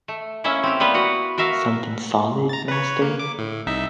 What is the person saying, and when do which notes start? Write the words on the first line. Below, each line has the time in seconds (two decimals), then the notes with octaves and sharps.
Somethin’ solid, master?
0.08 A3
0.44 A#3 C#4 E4 E5
0.63 C4 G4
0.80 G3 A#3 B3 B4
0.94 F#4 B4 F#5
1.38 F#4 A#4 E5 F5
2.49 A#5 A6
2.68 B4 C#5
3.02 A#3
3.19 D6
3.38 A2
3.67 C2 D#4 E5